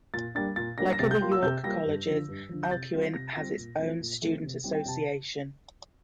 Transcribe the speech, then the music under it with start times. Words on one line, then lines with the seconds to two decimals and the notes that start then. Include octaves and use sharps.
Like other York colleges, Alcuin has its own Student Association.
0.14 A#2 A6
0.35 G3 A#3 D4 A6
0.56 A#2 A6
0.78 G3 A#3 D4 A#6
0.93 A#6
0.99 C3 A6
1.11 G6
1.21 G3 A#3 F4 C6
1.32 E6
1.42 C3 G6
1.63 G3 A#3 F4 A#6
1.85 G2
2.06 D3 F3
2.29 G2
2.49 D3 F3
2.63 G6
2.71 C3 A6
2.93 G3 C4 F4
3.14 C3 A#6
3.36 G3 C4 F4 A#6
3.57 A#2
3.79 F3 A3 C4
4.00 A#2
4.22 F3 A3 C4
4.43 C3
4.64 G3 C4 E4
4.75 G5
4.86 C3 A5